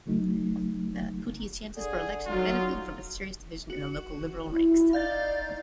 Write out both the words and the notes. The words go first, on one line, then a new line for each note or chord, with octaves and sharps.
Puttee's chances for election benefitted from a serious division in the local Liberal ranks.
C#3 F#3 A3 D#4
D3 G#4
F#3 D#4 F4 F#4
F#4
E4
D#4 D5 F5 G6 A6